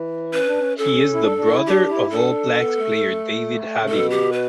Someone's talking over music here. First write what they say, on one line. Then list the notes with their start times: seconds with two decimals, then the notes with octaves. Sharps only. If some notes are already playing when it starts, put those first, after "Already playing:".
He is the brother of All Blacks player David Havili.
Already playing: E3
0.33 C#4 B4
0.47 D4
0.59 C#4
0.78 C#4 A4
1.14 E4
1.22 D4
1.37 D4
1.52 E4
1.67 D4 G4
1.89 E4
2.11 D4 A4
2.56 B3
2.78 A3
3.80 C#3
3.89 B2 A4
4.10 G4
4.33 B4